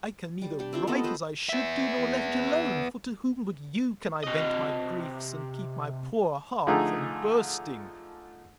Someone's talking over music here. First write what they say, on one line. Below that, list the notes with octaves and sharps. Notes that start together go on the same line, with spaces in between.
I can neither write as I should do, nor let it alone, for to whom but you can I vent my griefs, and keep my poor heart from bursting!
G3
D4 G4
C4 E4 F4 G5
B3 A4 D#5 A5
F4 B4 C5
B3 E5
C3 D#5
D3 F3 A3 D#4 G#4